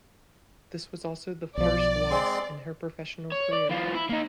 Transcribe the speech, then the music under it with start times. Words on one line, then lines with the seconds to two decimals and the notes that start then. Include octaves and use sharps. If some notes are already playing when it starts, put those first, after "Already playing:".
This was also the first loss in her professional career.
1.57 B1 F3 D5
2.11 G#3 C4 C6
3.32 C#5
3.53 D5
3.69 E3 F4
3.94 E4
4.09 A#3 D#4